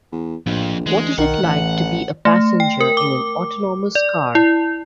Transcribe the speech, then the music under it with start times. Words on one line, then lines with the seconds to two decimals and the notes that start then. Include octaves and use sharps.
What is it like to be a passenger in an autonomous car?
0.12 E2
0.46 A#1 F2 A2
0.86 D2 E3 G#3
1.18 B1 D#3 F#5
1.43 A1 E3
2.25 A3
2.60 G5
2.81 A#4
2.97 D6
3.95 D5
4.35 E4